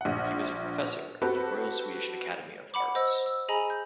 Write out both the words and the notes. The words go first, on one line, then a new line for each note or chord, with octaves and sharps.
He was a professor at the Royal Swedish Academy of Arts.
A#1 F#5
C4 F#4 G4 A4 B4
F#5 B5 D6
C5 D#5 E6
E6
G#4 D#5 G#5 A#5 B5 F#7
G6